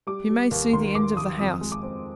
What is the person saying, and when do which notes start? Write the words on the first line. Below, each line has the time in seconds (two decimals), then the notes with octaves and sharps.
You may see the end of the house.
0.07 G3 D6
0.29 G3
0.51 D#2
0.73 D#3 C6
0.95 D#2 D6
1.17 D#3 D#6
1.39 F2 D#6
1.61 G#3
1.72 D6
1.83 C4